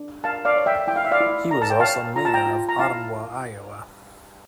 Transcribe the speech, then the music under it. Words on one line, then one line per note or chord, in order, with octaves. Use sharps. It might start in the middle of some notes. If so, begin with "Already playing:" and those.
He was also mayor of Ottumwa, Iowa.
Already playing: D4
A#4 F5 A5
D5 F5
C#5
E5 G5
E4 G5
F5
E5
D5 F5
E4
A#4 A#5
A5
G5
C#5 F5 A5
F4 A#5
A5
G5 A#5
F4
A#5
E4 F5 A5